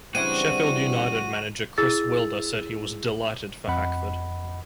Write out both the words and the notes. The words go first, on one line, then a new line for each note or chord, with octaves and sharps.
Sheffield United manager Chris Wilder said he was "delighted" for Hackford.
C#3 E3 G3 C4 D4 E4 F#4 D#7
E4 G#4 E6 A6
F2 D#5 F#5 B5